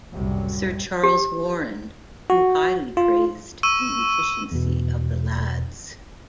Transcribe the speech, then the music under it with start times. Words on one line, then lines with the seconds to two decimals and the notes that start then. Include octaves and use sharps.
Sir Charles Warren, who highly praised the efficiency of the lads.
0.12 F#1 C2 A2 C3 F#3 G3
1.04 G4
2.30 F#4
2.97 F4
3.63 C#6 E6 D#7
4.52 E2 B2